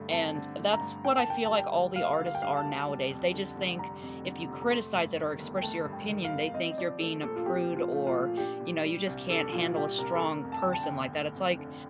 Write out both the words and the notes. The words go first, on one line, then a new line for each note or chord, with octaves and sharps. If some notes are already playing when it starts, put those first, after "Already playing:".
and that's what I feel, like, all the artists are nowadays; they just think if you criticize it or express your opinion, they think you're being a prude or, you know, you just can't handle a strong person like that. It's like,
Already playing: G2 D3 A3
C4 A5
D3
A3
A#5
G2
A#3 G5
A5
D3 G5
G3 A5
G5
D2
A#3 F5
D3
F5
G5
G3 F5
A5
D2
G3
F2
D3
F1
G3 A#5
F2
D3
F1
A#5
A3 C6
G2
D#3
G1
G5
A3 A5
G2
G5
D#3
F5
G1
C4 D#5
D#5
F3 D5
A3 A4
A#2 A4
F4
C4 G4
F3
F4
A3
F4
A#2
D4 G4
A#2
G3
C2
D4 A4
A#2 F4
G3 G4
C2 A#4
A4
A3 A#4
F2
A5
G5
D3
A5
G5
G1
A3
F2
D3